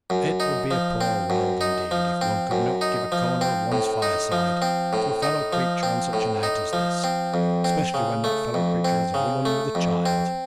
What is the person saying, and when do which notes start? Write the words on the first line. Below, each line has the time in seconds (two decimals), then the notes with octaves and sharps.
It would be a poor world indeed if one could not give a corner of one's fireside to a fellow-creature on such a night as this, especially when that fellow creature is a woman with a child.
0.10 F#2
0.40 D#4
0.71 F3
1.01 C4
1.30 F#2
1.61 D#4
1.91 F3
2.21 C4
2.51 F#2
2.81 D#4
3.12 F3
3.41 C4
3.72 A2
4.02 D#4
4.32 F3
4.62 C4
4.93 A2
5.22 D#4
5.53 F3
5.83 C4
6.13 A2
6.43 D#4
6.73 F3
7.04 C4
7.34 F2
7.64 C4
7.94 C#3
8.24 A3
8.54 F2
8.84 C4
9.14 C#3
9.45 A3
9.75 F2
10.06 C4